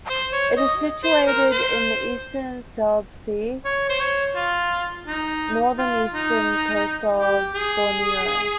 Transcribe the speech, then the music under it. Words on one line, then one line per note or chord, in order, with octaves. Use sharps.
It is situated in the eastern Celebes Sea, off the north-eastern coast of Borneo.
C5
C#5
D#5
C5
A#4
C5
C#5
C5
C#5
F4
D#4
F4
D#4
G4
G#4